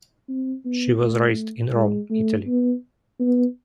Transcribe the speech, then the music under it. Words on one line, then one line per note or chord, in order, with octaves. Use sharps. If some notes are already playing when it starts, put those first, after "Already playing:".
She was raised in Rome, Italy.
C4
B3
A3
G#3
A3
B3
B3